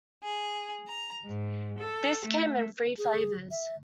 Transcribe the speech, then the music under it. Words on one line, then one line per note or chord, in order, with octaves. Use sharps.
This came in three flavours.
G#4
A#5
G#2
A4
A3
G#4
E5